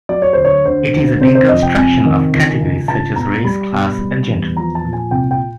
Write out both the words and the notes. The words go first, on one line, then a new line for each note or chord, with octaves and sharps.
It is a deconstruction of categories such as race, class, and gender.
F#3 D5
C#5
D2 C5
C#5
D3 C5
D2
C3 C5
C5
F2 D#5
G5
C3 G#5
D#3
C#2
C#2
C#2 A5
B2 A#5
G3 B5
B2
G3
E2
F3 A#5
A5
A#2
G#5
C2 G5
G5